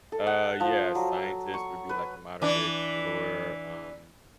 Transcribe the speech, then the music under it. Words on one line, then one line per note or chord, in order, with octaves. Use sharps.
Uh, yeah, scientists would be like a modern-day explorer, um,
A4
F#5
F3
F#3
C#6
B4
E3 D4